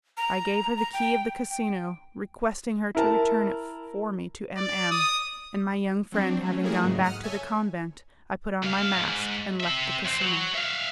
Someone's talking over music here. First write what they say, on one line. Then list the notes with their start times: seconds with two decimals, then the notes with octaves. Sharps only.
I gave her the key of the casino, requesting her to return it for me to M---- M----, and my young friend having gone back to the convent, I put on my mask and left the casino.
0.17 A#5
0.77 A#5
0.93 G5
1.50 G5
2.95 E4 A#4 A5
4.57 D5
4.91 D#6
6.12 F#3 C4 D4
6.43 F#3 A3 C#4
6.63 G3 A3 A#3 E4 G#4
6.83 G#2 C#3 F#3 D#4
7.03 F#5 D#6 F6
7.24 A4 C#5 E5 G#5
8.63 C#2 F5
8.96 G#2
9.60 C4 E5
10.05 E2 C4
10.22 F#3
10.55 E5 F5